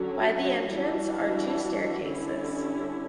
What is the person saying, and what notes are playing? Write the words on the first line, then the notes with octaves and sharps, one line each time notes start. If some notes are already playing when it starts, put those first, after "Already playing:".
By the entrance are two staircases.
Already playing: D3 F#3 C#4 F#4
E3 G3 D4 F#4
D3 G3 C#4 E4